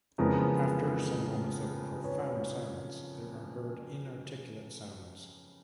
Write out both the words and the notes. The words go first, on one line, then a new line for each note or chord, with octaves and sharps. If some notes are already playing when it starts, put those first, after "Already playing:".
After some moments of profound silence there are heard inarticulate sounds.
F2 C#3 E3 G#3 B3 A#4 C5
B4 C#5